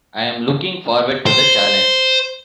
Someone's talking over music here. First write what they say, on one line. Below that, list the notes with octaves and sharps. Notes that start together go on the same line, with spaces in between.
I am looking forward to the challenge.
C5